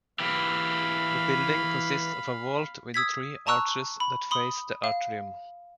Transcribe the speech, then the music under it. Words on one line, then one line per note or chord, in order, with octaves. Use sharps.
The building consists of a vault with three arches that face the atrium.
E3 G4 F5 B5
D#6 E6 G#6 B6
A5 A#5 C#6 E6 F#6
B5
B5 C6 D#6
F5